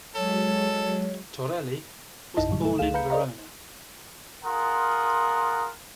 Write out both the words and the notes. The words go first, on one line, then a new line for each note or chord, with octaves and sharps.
Torelli was born in Verona.
F#3 G#3 A4 C#5
A#1 F#2 D#4 E4 D#5 A5
G2 A#2 D3 F#3 G3
A3 A4
C#2 A3 G#4 F5 E7
B4 F5 A#5 B5 G6 C#7
A#4 C5 D5 D#5 F5 A#5
F4 G#4 A#4 F#5 C6 D#6